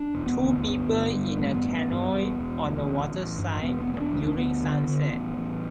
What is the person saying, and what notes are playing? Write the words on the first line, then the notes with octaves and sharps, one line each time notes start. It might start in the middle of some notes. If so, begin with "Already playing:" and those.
Two people in a canoe on the waterside during sunset.
Already playing: D4
E1
B3
D2
G1 B3
G1
G2
A1 B3
A3
B3
A1
G2
E1
E1
D2
A1
A1
G2
E1 B3
B3
E1
B3
D4
D2
D4
D2 B3
D3
D3
A1
A1